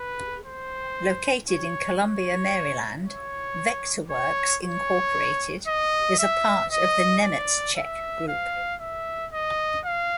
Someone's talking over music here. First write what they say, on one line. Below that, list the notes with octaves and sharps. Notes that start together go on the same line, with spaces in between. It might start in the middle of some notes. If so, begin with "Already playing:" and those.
Located in Columbia, Maryland, Vectorworks, Incorporated is a part of The Nemetschek Group.
Already playing: B4
C5
C#5
C#5
C#5
C#5
C#5
D#5
E5
D#5
D5
E5
F5
E5
D#5
F5